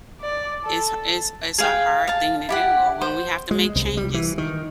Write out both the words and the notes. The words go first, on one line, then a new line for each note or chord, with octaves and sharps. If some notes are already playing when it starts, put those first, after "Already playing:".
It's it's It's a hard thing to do or when we have to make changes.
D5
A4
G#4 F5 G5
F5 A5
E4 G4 F#5
C5
G#3
C2
G3
E3
D#3